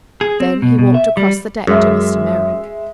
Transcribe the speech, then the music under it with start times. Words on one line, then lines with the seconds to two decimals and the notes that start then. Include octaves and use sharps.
Then he walked across the deck to Mr. Merrick.
0.21 G#4
0.40 C4
0.62 B2
0.79 B2
0.94 E5
1.17 G3
1.67 F#2 G#3 E5